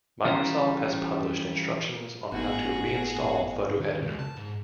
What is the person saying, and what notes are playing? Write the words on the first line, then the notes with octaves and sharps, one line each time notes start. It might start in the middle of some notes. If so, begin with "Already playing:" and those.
Microsoft has published instructions on how to reinstall Photo Editor.
E3 G3 C#4 F4 C5 A#5
G1 A2 B3 D#4 F#4 G#4
D#3
C#2
A5
G#2